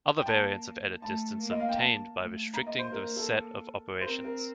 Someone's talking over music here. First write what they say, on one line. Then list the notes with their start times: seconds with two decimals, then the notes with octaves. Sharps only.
Other variants of edit distance are obtained by restricting the set of operations.
0.17 G5
0.25 A#3 A5
1.01 A3 A5
1.40 A#3
1.51 D#5
1.60 F5
1.69 G5
1.78 A5
2.16 A3
2.54 A#3 A#5
2.67 D#5
2.79 C5
2.92 A#4
3.16 A4
4.01 C5
4.06 C4 A#4
4.24 A#4